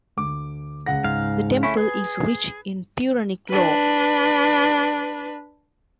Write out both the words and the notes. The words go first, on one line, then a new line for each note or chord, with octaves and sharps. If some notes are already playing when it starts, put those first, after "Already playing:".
The temple is rich in puranic lore.
D2 D6
C#2 F#5 A#6
G#2 F5
A3 C#4 E4
G#4 B4
D4 B4